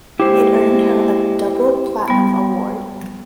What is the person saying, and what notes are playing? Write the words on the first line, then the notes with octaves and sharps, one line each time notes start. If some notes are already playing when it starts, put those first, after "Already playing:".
It earned her a Double Platinum award.
G#3 A#3 E4 G4 C5
G3 B3